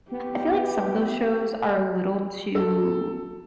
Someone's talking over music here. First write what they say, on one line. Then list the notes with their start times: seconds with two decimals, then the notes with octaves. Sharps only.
I feel like some of those shows are a little too
0.11 B3 G4
2.55 A4